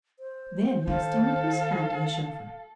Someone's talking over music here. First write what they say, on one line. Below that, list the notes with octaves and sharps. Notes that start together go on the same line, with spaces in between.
Then he extended his hand to the chauffeur.
C5
D#3 A4 F5